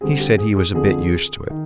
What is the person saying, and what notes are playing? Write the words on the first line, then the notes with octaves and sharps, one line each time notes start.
He said he was a bit used to it.
D3 G3 C4 G#4
G4
G#4
G#4
F2 D3 F3 G#4
D#3